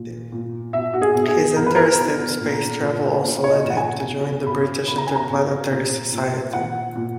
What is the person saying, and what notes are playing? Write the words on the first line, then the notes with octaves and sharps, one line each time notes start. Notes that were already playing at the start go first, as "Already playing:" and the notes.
His interest in space travel also led him to join the British Interplanetary Society.
Already playing: A#2
A#2
B2 E5
F#4
G#4
B2
G#4
B2 A#4
B4
A#4
B2
A#2
A#2
A#2
C#5
D#5
A#2
F#5
G#5
B2
B2 B5
B2 B5
A#5
G#5
A#5
B2
A#2
A#2
A#2 F#5
A#2